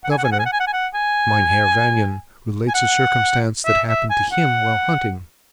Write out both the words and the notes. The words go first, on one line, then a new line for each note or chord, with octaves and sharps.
The Governor, Mynheer Vanion, relates a circumstance that happened to him while hunting.
F#5
G#5
F#5
G#5
F#5
G#5
F#5
G#5
F#5
G#5
F#5
G#5
G#5
F#5
E5
E5
G#5
F#5